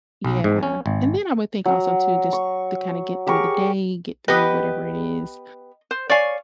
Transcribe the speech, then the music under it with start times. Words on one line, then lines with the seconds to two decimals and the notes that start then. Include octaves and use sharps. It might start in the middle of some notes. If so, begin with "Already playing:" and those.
Yeah, and then I would think also too just to kinda get through the day, get through whatever it is,
0.25 B1
0.44 G#2
0.63 C#4
0.86 G#1
1.65 F#3
2.33 C#6
3.27 G4 G#4 A#4 C#6
4.28 B3 G4 B4 D#5
5.91 C5
6.10 C#5 D5 F5 G#5